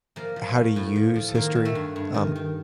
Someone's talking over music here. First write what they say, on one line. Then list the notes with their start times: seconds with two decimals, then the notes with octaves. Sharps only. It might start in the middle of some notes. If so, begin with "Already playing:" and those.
how to use history, um,
0.16 F3 A#3 A#4
0.36 F3
0.56 A2
0.76 A2
0.96 F3
1.16 F3
1.28 A4
1.35 D#3 A#3 A#4
1.55 D#3
1.65 A3 A4
1.75 G2
1.96 G2
2.14 D#3
2.35 D#3